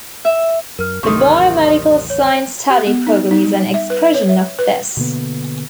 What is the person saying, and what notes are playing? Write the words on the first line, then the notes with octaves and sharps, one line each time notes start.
The Biomedical Science study programme is an expression of this.
E5
F#2 A#4 F6
A1 D#2 C3 D#3 F#3 C#6
C#5
G4
B3
D#4
D#4
G3
E5
B4
C#5
E5
B4
B2 D3 A#3 B3